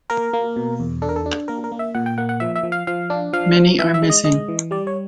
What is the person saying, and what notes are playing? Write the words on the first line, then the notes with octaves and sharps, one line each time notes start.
Many are missing.
A#3 A#4
A#3
B2
E2
D4 A4
A#4
A4
D4
A#3 A#4
A#4
A#3
E5
A#2 F#5
G5
A#3 F#5
F#5
F3 E5
E5
F3
F5
F3 F5
D4
F3 F5
F3
E3 E5
E5
G#3
D#5
G#3 D#5
E3
G3 D5
C#5